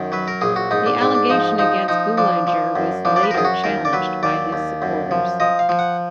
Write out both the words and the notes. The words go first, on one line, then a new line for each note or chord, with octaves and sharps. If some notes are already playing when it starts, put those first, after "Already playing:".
The allegation against Boulanger was later challenged by his supporters.
Already playing: F#2 D#3
F#3 B4
A#4
A#1 G#4
F#4
G#2 D#4
D4
G#2 D4
D4
F3 D#4
F3 D#4
F3 D#4
F3 D4
F3
F#2
F3 D4
D5
B4
A#4
F#2 G#4
F#4
D#2 A#4
D5
F#3 B4
D#2 D5
D#2
F#2
F3
F3 D#5
F5
F3
F#5